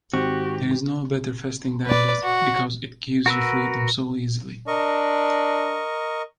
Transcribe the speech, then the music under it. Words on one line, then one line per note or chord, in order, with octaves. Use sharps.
There is no better fasting than this because it gives you freedom so easily.
G#2 D#3 C4 F#4 G4
B4 D5
F#4
F#4 A#4 B4 E6
D4 A#4 D#5 C#6